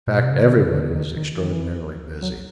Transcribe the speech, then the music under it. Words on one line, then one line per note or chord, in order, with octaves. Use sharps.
In fact, everyone is extraordinarily busy.
A#2
B2
C3
C#3
D3
C#3
D3
D#3
D#3
E3
D#3
E3
F#3